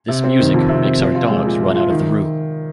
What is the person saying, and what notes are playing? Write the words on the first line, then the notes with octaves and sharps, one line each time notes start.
This music makes our dogs run out of the room'!
C3
C4
D#3
F2
C3
C4
F3
F4
G#3
A#2
F3
F4
D#3